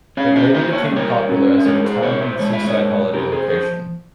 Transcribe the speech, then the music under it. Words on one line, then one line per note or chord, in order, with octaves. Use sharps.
It later became popular as a retirement and seaside holiday location.
C#4 C#5 F5
C5 E5
A#3 C5 E5
C#5
E5
G3 A#4 C#5
C#4
E5
G#3 A#4 C#5
G#4 C5
A#2 A#4 C#5
C5 E5
G#3 C#5
E5
A#4 C#5
A#2
C3 G4 A#4
G#4 C5
F3 G#4 C5